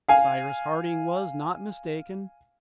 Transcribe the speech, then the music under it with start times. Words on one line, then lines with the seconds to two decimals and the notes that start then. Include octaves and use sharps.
Cyrus Harding was not mistaken.
0.09 F5 G#5